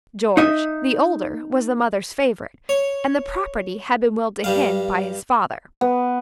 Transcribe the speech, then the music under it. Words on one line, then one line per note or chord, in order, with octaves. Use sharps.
George, the older, was the mother's favourite, and the property had been willed to him by his father.
D#4 D#5 E5
C#5
G2 G3 F5
B3